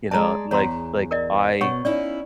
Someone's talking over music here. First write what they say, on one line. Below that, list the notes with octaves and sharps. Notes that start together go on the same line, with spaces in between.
You know? Like like, I,
G#3 D5 A5 A#5
E2 C#5 A#5 C6
A#4 D5 D#5
B2 C#5 F#5 C#6
C#4 D#4 E4 D5